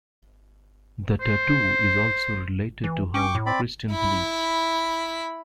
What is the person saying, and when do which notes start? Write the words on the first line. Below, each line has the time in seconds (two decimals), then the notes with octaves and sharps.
The tattoo is also related to her Christian beliefs.
1.21 C5
2.84 E3
3.14 C#4 G5 C#6 D6
3.35 A2
3.46 C4 D5 B5
3.91 E4 B5